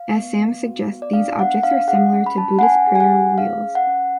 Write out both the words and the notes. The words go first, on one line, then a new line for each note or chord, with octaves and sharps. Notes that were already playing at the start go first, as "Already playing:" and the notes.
As Sam suggests, these objects are similar to Buddhist Prayer wheels.
Already playing: F5
B3
B3
F#4
B3
D5
D4 F5
B3 F#5
D4 F5
G#4 F#5
C#4
B5
C#4 A5
F#5
C#4 G#5
G#4
G#5
F#5
C#4
G#4 F5
C#4
F#5
C#4